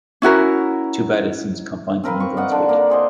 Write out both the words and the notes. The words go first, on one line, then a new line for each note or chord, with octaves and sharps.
Too bad it seems confined to New Brunswick.
C#4 E4 F#4 A#4
C4 A#4 B4 F5
C#6
D5 D#5 F5 F#5
D3
A#3
G#4 C5 D#5